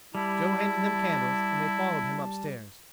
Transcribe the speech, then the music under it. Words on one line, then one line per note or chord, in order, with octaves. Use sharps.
Joe handed them candles and they followed him upstairs.
G3 E4 A5